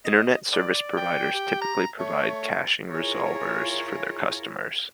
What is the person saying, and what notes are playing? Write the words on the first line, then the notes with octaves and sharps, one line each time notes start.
Internet service providers typically provide caching resolvers for their customers.
D#5
D5
G5
G4
A#5
A3 C#5
E4 F4 G#4 A#4 C#5